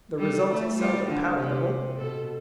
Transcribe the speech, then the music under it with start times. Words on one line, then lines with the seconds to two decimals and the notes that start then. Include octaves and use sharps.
The result is seldom palatable.
0.19 G3 A4
0.49 A3
0.78 G3 F4
1.09 D3
1.38 C3 G4
1.98 B2 A4